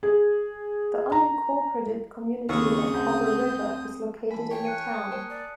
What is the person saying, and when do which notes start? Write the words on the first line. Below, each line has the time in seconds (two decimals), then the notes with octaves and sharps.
The unincorporated community of Popple River is located in the town.
0.03 G#4
1.12 A#5
2.49 D#2 C#3 C4 C#6 D#6
2.94 D2 G6
4.31 E3 F#3 G#5 A5 B5 B6
4.51 C#5 G5 C#6
4.65 F#6 C#7 D#7
4.94 D#6
5.11 A#3 C5 G5
5.30 D5